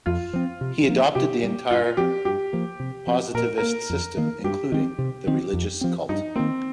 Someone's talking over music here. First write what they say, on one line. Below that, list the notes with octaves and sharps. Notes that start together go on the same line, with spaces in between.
He adopted the entire positivist system, including the religious cult.
F2 F4
F3 C4
C3
F3 A#3
C3 G4
G3 A#3
G2 F4
F3 C4 G4
G2 G4
F3 A#3
C3
F3 C4
A#2 A#4
A#3 A#4
F2
D#3 A#3
G2 G4
D#3 C4
C3
D#3 C4
F2
F3 C4
G2 D#4
D#3 A#3 C4